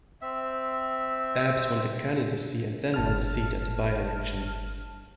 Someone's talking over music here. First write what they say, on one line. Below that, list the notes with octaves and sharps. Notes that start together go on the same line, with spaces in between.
Abse won the candidacy and then won the seat at the by-election.
C4 E5
G1 A5 F6